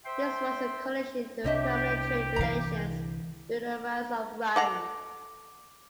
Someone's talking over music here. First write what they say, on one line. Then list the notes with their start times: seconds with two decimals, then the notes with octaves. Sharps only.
This was a condition to permanent trade relations during the rise of Rome.
0.05 C5 E5 G5 C6
1.44 C2 C3 D4 G4 C#5 D#5 E5
2.36 D3 E3 F5 A#5
4.56 A4 F#5 A#5 D6